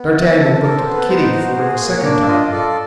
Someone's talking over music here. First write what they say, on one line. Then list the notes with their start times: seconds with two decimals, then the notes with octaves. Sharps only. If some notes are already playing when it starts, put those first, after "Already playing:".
D'Artagnan looked at Kitty for the second time.
Already playing: B3
0.14 E4
0.38 A4
0.61 A4 A#4
0.77 C5
0.85 B3
0.94 B4
1.09 D#4 C5
1.33 F#4
1.57 G#4
1.81 A#3
1.97 C#5
2.04 D4 D5
2.28 F4 D#5
2.47 D#5
2.52 A4 D5